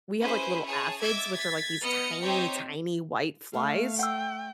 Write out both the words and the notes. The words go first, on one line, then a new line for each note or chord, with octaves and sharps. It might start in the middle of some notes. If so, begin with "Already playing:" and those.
we have, like, little aphids, which are, like, these tiny, tiny white flies,
C#4 E4 G#4 B4 C5
G#4 C#5 A5
D#5 E5 D6 E6 G#6 A6
G#6 A6 B6
B3 D#5 F6 C#7
C4 D#4 G4 C5 C#5
A3 F5
F#5 G5 E6